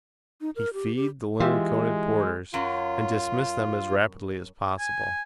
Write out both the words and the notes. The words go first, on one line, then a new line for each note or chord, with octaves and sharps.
He feed the linen-coated porters and dismissed them as rapidly as possible.
D#4
A#4
G4
G4
E3 G#3 F4 G4 E5
F#2 F#3 F4
G#5